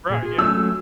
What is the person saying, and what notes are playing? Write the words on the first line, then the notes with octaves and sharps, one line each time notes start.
Right, yeah.
A#2 G#4
F4 G#4
F#3 A3 C#4 E6